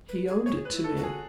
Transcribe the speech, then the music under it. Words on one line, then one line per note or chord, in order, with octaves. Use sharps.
He owned it to me.
B4
G#4
G#4 C#5
B4
E4
A4
F#4
G#4